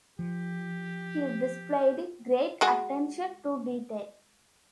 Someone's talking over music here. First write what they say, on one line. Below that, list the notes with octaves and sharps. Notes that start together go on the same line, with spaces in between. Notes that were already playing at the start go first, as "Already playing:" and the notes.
He displayed great attention to detail.
F3 G4
G#3 F#4 G#5